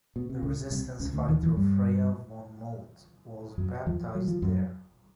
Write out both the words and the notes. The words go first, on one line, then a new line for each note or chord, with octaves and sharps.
The Resistance fighter Freya von Moltke was baptised there.
B2
C3
C#2 C#3
C2 C3
C#2 C#3
D2 D3
D#2 D#3
E2 E3
G2 G3
F#2 F#3
F2 F3
F#3
F3
F#2 F#3